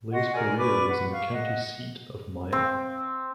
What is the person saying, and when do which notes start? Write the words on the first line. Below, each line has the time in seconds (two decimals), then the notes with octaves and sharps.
Lay's career was in the county seat of Maya.
0.13 F#4 D#5 F#5 C6
0.33 A#4 D5 G#5
0.58 B4 D5 C#6 D6
0.87 B4 F#5
1.11 F5 C#6
1.31 D#5 F#5
2.52 C4